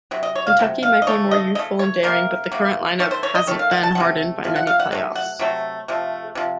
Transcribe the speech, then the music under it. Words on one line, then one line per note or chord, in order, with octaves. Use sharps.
Kentucky might be more youthful and daring, but the current line-up hasn’t been hardened by many play-offs.
C3 F#3
D#5
C#5
F5
C3 F#3
F5
D#5
C#3 A3 C#5
D#5
C#3 A3 D#5
C#5
C3 F#3 A#3 A#4
C3 F#3 A#3
D#3 A3 C#5
C5
C#5
D#5
D#3 A3 C#5
F5
F#5
A5
C3 F3 A3 F#5
C3 F3
F#5
F5
F#5
C3 F#3 A3
F#5
C3 F#3 A3
C3 F3 A3
C3 F3